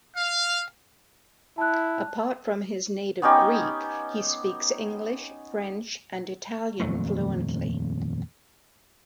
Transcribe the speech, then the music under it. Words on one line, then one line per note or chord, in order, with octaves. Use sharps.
Apart from his native Greek, he speaks English, French, and Italian fluently.
F5
E4 A5 F#6
B3 C#4 D#4 G4
D#1 F2 F#3 A3